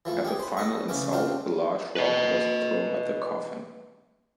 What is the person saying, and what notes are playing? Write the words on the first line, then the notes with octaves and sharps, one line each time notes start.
As a final insult, a large rock was thrown at the coffin.
E3 F3 A3
G4 G#4
C5 B5
A4 D#5 C#6
C#3 E3 B3 C#4 D6
C#3 C4 D4 F4 C5
B4 D#5